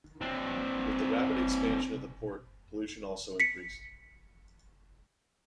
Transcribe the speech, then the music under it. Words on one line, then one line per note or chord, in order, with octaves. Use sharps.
With the rapid expansion of the port pollution also increased.
C4 D4
B6 C#7